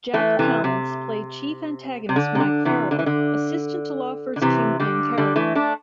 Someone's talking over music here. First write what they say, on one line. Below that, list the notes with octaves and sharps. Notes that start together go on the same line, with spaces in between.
Jack Palance played chief antagonist Mike Farrell, assistant to Lawford's kingpin character.
E3 A3
C3 E3
C3
C3
D3
C3
D3
C3 E3
D3
E3
D3
D3
C3 E3
D3 G3
D3 G3
E3 A3
A3 D4